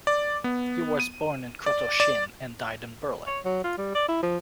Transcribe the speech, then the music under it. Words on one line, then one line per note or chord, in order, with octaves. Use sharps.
He was born in Krotoschin and died in Berlin.
D5
B3
D#7
D5
D5
C#5
F#3
F4
G3
D5
E4
F3